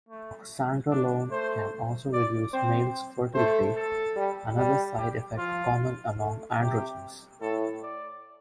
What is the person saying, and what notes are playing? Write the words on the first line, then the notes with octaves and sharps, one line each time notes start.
Oxandrolone can also reduce males' fertility, another side effect common among androgens.
A3
D4
A3 C5
D5
C4 C5
A3 C5
A4
G3
G3
G4
F3 F4
A3
C3 G4
A2 A4
D5